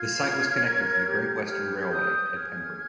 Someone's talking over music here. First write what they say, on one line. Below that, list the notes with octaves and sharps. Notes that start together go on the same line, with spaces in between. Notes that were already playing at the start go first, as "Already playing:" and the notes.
The site was connected to the Great Western Railway at Pembrey.
Already playing: F4 F6 G#6
C#5
A#4
G4
G4 F6 G#6
C#5 D#6 G6
G#4 F6 G#6